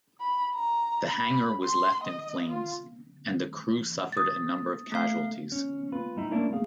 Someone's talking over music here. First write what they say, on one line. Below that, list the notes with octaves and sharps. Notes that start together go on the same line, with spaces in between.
The hangar was left in flames, and the crew suffered a number of casualties.
B5
A#5
B5
C6
D#5
F4
D#6 A6
A3 F5
C#4
F4 B4
G3 D#4 E4
A#3 C#4 D4 E4
G#4 F5